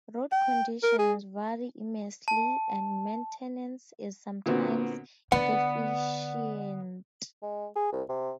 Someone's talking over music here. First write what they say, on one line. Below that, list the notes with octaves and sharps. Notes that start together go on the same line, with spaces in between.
Road conditions vary immensely, and maintenance is sometimes deficient.
G5
A#4
G#4
A5
A#2 D3 B3 C4 F#4
D3 B3 D5 F#5
G#3
G#4
C2
C3